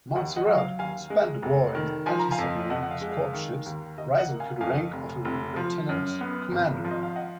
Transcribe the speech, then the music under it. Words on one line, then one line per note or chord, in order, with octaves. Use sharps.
Monsarrat spent the war in anti-submarine escort ships, rising to the rank of Lieutenant-Commander.
D#2 D#5 F#5
D#5 F#5
F#3
F5
D#2 F5 G#5
G#3
F1
D#3
F3 G#5
A#5
F5 G#5
F2
F2 D#5 F#5
F#5
F5
G#3
F5
D#3 F5
D#2
D#2 D#5
D#5 F#5
A#3
F5 G#5
F2 F5 G#5
F1
F1
F3
F#2
B3
G#1
F3
D#5
F5
D#5 F#5